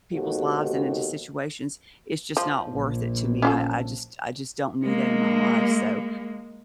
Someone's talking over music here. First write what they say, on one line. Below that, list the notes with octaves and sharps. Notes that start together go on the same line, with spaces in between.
people's lives and into situations, is just not worth it to me. I I just I just don't need that in my life, so,
D#2 G#2 B2 F#4 G4 A4
F3
A#1
C#4 F4 A4
G#3 A#3